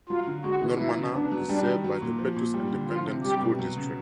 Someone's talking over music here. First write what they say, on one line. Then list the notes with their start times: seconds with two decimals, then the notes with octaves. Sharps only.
Normanna is served by the Pettus Independent School District.
0.09 F#3 F4
0.27 D3
0.44 G#3 F#4
0.61 E3
0.79 F#3 E4
0.97 C#3
1.14 B3 D4
1.31 F#3
1.49 G3 D4
1.67 D#3
1.84 F#3
2.02 A#2
2.19 F3
2.36 A#2
2.54 G3
2.72 D3
2.89 F3 F4
3.06 C3
3.24 G3 G4
3.41 B2
3.59 F#3
3.77 C#3